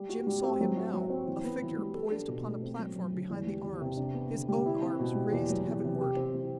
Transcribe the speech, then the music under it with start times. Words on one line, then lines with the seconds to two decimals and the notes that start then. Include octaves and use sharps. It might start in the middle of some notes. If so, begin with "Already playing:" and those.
Jim saw him now, a figure poised upon a platform behind the arms, his own arms raised heavenward.
Already playing: G3
0.09 F#4
0.27 G3
0.43 C4
0.60 F#3
0.77 F#4
0.93 F#3
1.10 C4
1.27 E3
1.44 B3
1.62 E3
1.78 G3
1.94 A4
2.12 D4
2.28 B2
2.46 A3
2.63 C4
2.79 F#3
2.96 F#2
3.13 D3
3.30 E2
3.47 G3
3.63 E2
3.81 C3
3.97 D4
4.14 B3
4.31 D3
4.48 G3
4.66 E4
4.82 C4
4.99 B2
5.15 G3
5.32 E2
5.49 F#3
5.67 E2
5.84 C3
6.00 G4
6.17 C4
6.34 E3